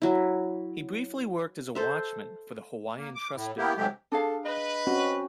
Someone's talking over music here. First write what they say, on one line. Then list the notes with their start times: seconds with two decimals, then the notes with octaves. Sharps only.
He briefly worked as a watchman for the Hawaiian Trust building.
0.02 F#3 E4
1.75 A4 C5 E5
2.97 A#3
3.15 D6
3.34 A2
3.58 A#3 B3 E4 G4
3.76 G#2 C3 F#3 G#3 A3 G4
4.12 D4 G#4 A4 F5
4.45 B4 D#5
4.87 C4 C#4 F#4